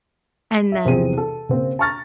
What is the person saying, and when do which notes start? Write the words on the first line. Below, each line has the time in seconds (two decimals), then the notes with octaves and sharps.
And then,
0.72 E5
0.85 E2 C3 E3 C4 G#4 D#7
1.18 A4
1.49 C#3 A#3 C4
1.79 A5 A#5 C#6 F6 A6 A#6